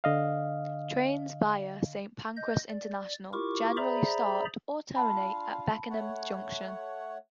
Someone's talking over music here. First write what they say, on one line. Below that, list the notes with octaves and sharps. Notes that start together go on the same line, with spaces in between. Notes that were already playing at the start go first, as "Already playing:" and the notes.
Trains via Saint Pancras International generally start or terminate at Beckenham Junction.
D3 D#5 F5
D#5 G6
D5
E4 F4 G4 A#4 C#6 D6
G#4 C5 D5 E5 A#5 B5
D4 F4 F5 A5 B5
A3 C#5 F#5